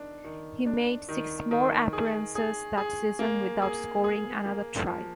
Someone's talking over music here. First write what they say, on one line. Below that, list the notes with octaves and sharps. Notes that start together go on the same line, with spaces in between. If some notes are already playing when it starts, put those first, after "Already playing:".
He made six more appearances that season without scoring another try.
Already playing: D#3 D4
D#3
D4
D#3
D#3
G#4
G#4
G#4
A#3
G#4
G#4
A#3
F3